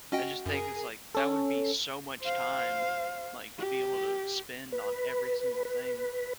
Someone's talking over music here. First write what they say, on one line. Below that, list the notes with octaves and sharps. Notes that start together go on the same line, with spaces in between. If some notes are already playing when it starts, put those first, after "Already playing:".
I just think it's like that would be, so much time, like, to be able to spend on every single thing
C#4 F#4 D#5 G5
F#2 G#4 A#4
C#4 A4
C5 F5
G4
B4
B4